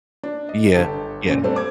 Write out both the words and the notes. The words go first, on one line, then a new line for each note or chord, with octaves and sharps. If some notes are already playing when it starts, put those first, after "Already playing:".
Yeah, yeah.
D4
D#5
G1 G4 A4
F#2 A#2
G3 A3 C4 D4 A4
D6 G#6